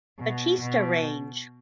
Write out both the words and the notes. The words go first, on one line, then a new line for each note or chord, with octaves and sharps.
Batista range.
B2
B2